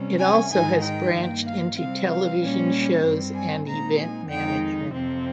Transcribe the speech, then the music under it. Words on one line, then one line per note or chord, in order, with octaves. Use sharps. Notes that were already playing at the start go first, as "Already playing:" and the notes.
It also has branched into television shows and event management.
Already playing: C3 G3 C#4
G#5
G#2 D#3 G#3 D#4 G#5
G5
G2 D#3 A#3
F5
C3 G3 C4 F5
F5
A#2 G3 C#4
G2 G3 C4
G#5
A#2 G#3 C4 D#4 A#5
G#5
F2 D#3 G#3 D#4 G5
F2 C3 F3 C4